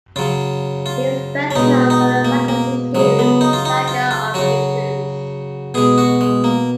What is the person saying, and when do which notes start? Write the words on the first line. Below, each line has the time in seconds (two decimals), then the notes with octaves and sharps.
He is best known for the fantasy series "The Saga of Recluce".
0.16 C#3 F#3 F4
0.86 F4
1.51 C#4
1.56 B2 G#3 D#4
1.90 D#4
2.25 A#3
2.48 A#3
2.95 C#3 F#3 G#3
3.19 B3
3.41 D#4
3.53 F4
3.65 D#4
3.88 F4
4.11 F4
4.34 C#3 F#3 F#4
5.74 B2 G#3 G#4
5.98 F#4
6.21 G#3
6.44 A#3